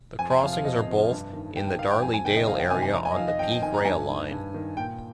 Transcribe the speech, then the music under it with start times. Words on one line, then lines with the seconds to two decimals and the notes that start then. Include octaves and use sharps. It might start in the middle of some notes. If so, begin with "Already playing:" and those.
The crossings are both in the Darley Dale area on the Peak Rail line.
0.19 F2 G#5
0.30 G#5
0.42 C3 F3 F5
0.53 F5
0.64 F2 D#5
0.87 C3 F3
1.11 G2
1.33 D#3
1.56 G2 G5
1.68 G5
1.79 D#3 F5
1.91 G5
2.02 F2 G#5
2.14 G#5
2.25 C3 D#3 G5
2.37 D#5
2.48 F2 F5
2.59 G5
2.71 C3 D#3 G#5
2.83 G#5
2.94 F2 A#5
3.05 G#5
3.11 D#5
3.17 D#3 F5
3.28 D#5
3.39 F2 G5
3.51 G5
3.62 D#3 G#5
3.74 A#5
3.85 G2 G#5
4.08 D#3
4.31 G2
4.54 D#3
4.77 A#2 G5